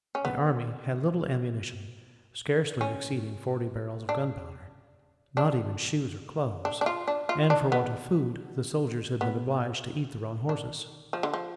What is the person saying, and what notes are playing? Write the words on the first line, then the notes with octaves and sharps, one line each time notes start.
The army had little ammunition, scarcely exceeding forty barrels of gunpowder; not even shoes or clothes; and for want of food, the soldiers had been obliged to eat their own horses.
C#4
B3
C#4
D4
D4
D4
D4
F4
D4
F4
D4
B3
B3
D4
F3
D3
F3